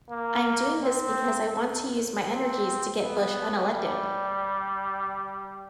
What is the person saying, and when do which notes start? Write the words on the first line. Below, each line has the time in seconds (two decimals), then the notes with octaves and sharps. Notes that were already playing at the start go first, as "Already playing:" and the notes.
I'm doing this because I want to use my energies to get Bush unelected.
0.10 A#3
0.83 C4
2.27 C4
2.99 B3
3.72 G3